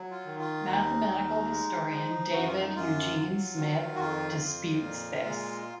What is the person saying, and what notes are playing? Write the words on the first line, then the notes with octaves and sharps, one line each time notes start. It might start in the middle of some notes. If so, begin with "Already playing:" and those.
Mathematical historian David Eugene Smith disputes this.
Already playing: F#3
F4
D#3
F4
D#2 D#4
D#2
G#3
F3
F#2 F#4
F4
D#4
F#2 F4
F#3
D#3
F#4
F2 F4
F2
A#2
G#3